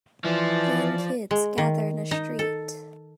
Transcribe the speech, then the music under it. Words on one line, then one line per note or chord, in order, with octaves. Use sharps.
Young kids gather in a street.
E3 F3 D5
G#3
D#3
D#4
A4